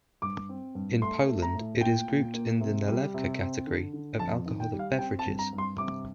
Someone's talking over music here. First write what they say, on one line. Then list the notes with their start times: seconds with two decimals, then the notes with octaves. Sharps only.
In Poland it is grouped in the nalewka category of alcoholic beverages.
0.22 G2 D6
0.49 C4
0.75 G2
1.01 A3 C6
1.28 A3
1.42 A#5
1.55 A2
1.81 A#2 G5
2.08 A#2
2.35 A#3
2.60 C3
2.88 G3
3.14 C3
3.40 C4
3.67 D3
3.93 D3
4.19 F2 A5
4.46 D#3
4.60 G5
4.73 G3
4.79 F5
4.99 C4 G5
5.19 A5
5.25 G2
5.39 A#5
5.53 G2
5.58 C6
5.78 C3 D6